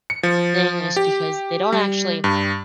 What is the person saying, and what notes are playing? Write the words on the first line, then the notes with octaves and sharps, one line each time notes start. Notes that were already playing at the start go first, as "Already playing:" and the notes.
thing is because they don't actually
C#7
F3
G4
G3
G2